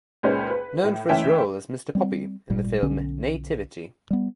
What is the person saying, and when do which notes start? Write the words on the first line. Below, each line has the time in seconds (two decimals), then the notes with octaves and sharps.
Known for his role as Mr Poppy in the film "Nativity!".
0.23 C#2 A#2 G#3 C#4 B4 C5
0.50 B4
0.84 A2
1.09 F#1 E3 A3 C#4 E5 G5
1.95 G3 C4
2.50 G#1 A#2 G3
2.82 B1 D3 C#4
4.11 G3 B3